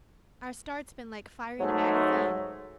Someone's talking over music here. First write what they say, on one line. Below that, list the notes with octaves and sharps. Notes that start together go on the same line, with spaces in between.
Our start's been like firing a magazine.
G#2 F#3 G#3 A3